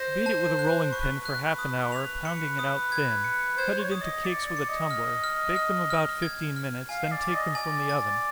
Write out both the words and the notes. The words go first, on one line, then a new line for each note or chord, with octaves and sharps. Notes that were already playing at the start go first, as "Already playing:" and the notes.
Beat it with a rolling-pin for half an hour, pounding it out thin--cut it into cakes with a tumbler--bake them about fifteen minutes, then take them from the oven.
Already playing: C5 A#6
A5
F#6
B4 C#6
F#6
D#6
F7
C#7
D#6
G#6
C#7
C5 G#6
C#5
D#6
D#5
D5 C#7
D5
C#7
D#5
F6
F6
F6
F6
G#6
F6
F5 G#5
D5
A6
D#5
D5 G#5
A6